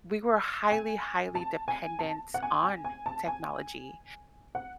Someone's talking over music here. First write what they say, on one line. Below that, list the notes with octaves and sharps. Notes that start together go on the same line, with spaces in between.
we were highly, highly dependent on technology.
G#5
A5
G#5
A5
F#5
G#5
G#5
G#5
A5
G#5
F#5